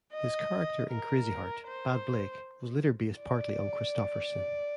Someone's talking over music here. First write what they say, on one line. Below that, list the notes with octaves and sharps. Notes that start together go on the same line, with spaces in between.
His character in "Crazy Heart", Bad Blake, was later based partly on Kristofferson.
D#5
A#4
C5
D5